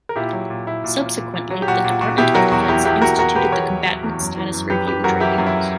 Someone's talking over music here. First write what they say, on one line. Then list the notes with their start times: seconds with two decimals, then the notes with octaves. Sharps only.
Subsequently the Department of Defense instituted the Combatant Status Review Tribunals.
0.09 A#4
0.16 A#2 E4 G4
0.33 F#3
0.50 A#2
0.66 A#2 E4
0.84 A#2
1.00 A#2
1.17 A#2
1.34 A#2
1.50 F#3
1.62 G4
1.67 A#2 F#4
1.84 A#2
2.01 A#2 F#4
2.18 B2 E4 G4
2.34 F#3 F#4 A#4
2.51 E2 F#4
2.68 E2 E4 G4
2.85 E2 E4 G4
3.02 E2 F#4 A#4
3.19 E2 F#4 A#4
3.35 B2 G4 B4
3.52 E2 A#4 C#5
3.69 E2
3.86 F#3
4.03 E2
4.20 F#2
4.37 E3
4.54 F#2
4.70 F#2 G4 B4
4.87 E3 G4 B4
5.04 F#2 F#4 A#4
5.20 E3 E4 G4
5.38 F#2
5.47 E4